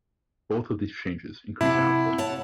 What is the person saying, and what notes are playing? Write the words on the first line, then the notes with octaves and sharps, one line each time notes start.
Both of these changes increase output.
C3 E4 F#5 A5
C#5 F#5 A5